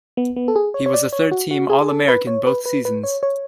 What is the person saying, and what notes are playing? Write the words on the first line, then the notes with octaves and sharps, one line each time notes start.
He was a third team All American both seasons.
B3
B3
A4
G#4
C#5
C#5
D5
C#5
F#4
F#4
G#4
G#4
A4
B4
C#5
B4
B4
B4
C#5
C#5